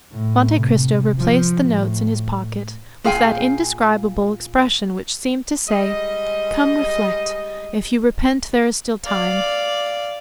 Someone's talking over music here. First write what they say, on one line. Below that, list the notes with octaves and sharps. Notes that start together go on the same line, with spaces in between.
Monte Cristo replaced the notes in his pocket with that indescribable expression which seemed to say, "Come, reflect; if you repent there is still time."
A2
C3
F3
A2
A#2 G#4 F5 G5 G#5
G3 G#3 D#5
D5 F5